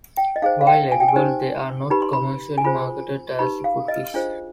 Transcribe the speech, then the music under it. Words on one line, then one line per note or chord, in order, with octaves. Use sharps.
While edible, they are not commercially marketed as a food fish.
G5
D#5
D#4 G#4 C5 F5
F5
G5
G#5
G5
G#5
D#4 G4 C5
D#4 G4 B4 B5
C6
B5
G#5
F4 G#4 C5 B5
D#4 G4 B4 B5
F5
D#5
D4 F4 G#4 C5